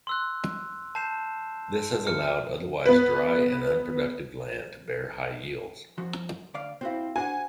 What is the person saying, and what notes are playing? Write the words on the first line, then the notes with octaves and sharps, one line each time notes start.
This has allowed otherwise dry and unproductive land to bear high yields.
C6 E6 F#6
A5 G6 C7 E7
F6 C#7
B3 B4
F#2 F3 F#4
D2 D5 F5
C4 E4 F#4 C5 F5
D4 F#4 C5 F#5 G#5